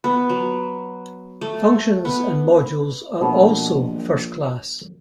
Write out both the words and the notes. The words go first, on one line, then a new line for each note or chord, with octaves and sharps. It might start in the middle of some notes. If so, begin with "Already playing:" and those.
Functions and modules are also first-class.
B3
F#3
A3
B3
A#1 B2 A#4
G5